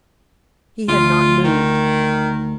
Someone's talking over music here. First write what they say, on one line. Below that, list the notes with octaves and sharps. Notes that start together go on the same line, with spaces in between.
He had not moved.
D2 F4
D#3